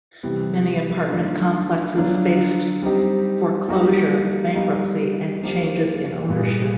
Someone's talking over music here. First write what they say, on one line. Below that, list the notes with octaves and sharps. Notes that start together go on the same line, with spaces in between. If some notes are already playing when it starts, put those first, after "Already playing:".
Many apartment complexes faced foreclosure, bankruptcy, and changes in ownership.
C3 E3 G3 B3
D#3 F#3 A3 D4 F4
D3 F#3 B3 D4 F4
G3 C4 D#4 G4
G3 A#3 D#4 F#4
G3 B3 D#4
D3 F3 A#3 D4 G4
A#2 G3 B3 E4 G#4